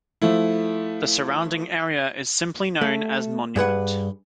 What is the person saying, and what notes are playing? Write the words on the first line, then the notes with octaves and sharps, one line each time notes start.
The surrounding area is simply known as Monument.
F3 A3 E4
A3
G2 G#4 B4 F#5